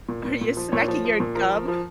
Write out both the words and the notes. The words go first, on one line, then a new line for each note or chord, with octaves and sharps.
or you're smacking your gum,
A#2
A#2
A#2
F3
A#2 C#5
F3
F3
A#2
F3 A#4
F3
F3